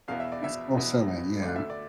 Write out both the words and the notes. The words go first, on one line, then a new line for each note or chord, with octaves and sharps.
It's for selling, yeah.
E2 B2 B3 E4 F5
E5
D5
E5
E2 B2 B3 E4
D2 D3 A3 D5
E5
D5